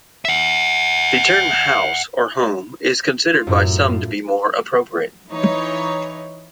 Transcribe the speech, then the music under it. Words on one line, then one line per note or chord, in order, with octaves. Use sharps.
The term "house" or "home" is considered by some to be more appropriate.
E5 F#5
F4
F#2 A2
F4
E3 D#4 C#5